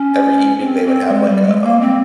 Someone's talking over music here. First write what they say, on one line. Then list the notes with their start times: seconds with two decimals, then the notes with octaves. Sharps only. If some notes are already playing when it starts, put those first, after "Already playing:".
every evening, they would have, like, a, um
Already playing: C#4
0.59 C4
0.86 C4
1.12 G#3
1.29 G3
1.46 G#3
1.64 A#3
1.81 C4